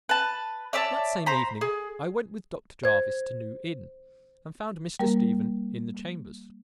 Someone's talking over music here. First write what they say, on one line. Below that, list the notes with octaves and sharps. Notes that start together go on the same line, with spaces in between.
That same evening I went with Dr. Jervis to New Inn and found Mr. Stephen in the chambers.
B4 A5
C#5 D5 E5 A5
C5 A#5 B5
G#4
C5 G#6
G3 A#3 A#4